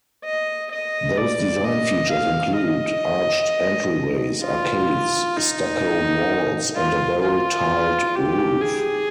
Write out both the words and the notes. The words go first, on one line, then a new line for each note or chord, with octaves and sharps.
Those design features include arched entryways, arcades, stuccoed walls and a barrel-tiled roof.
D#5
D#5
D5
D#5
F5
D#5
F4
D#4
F4
F4
G4
G#4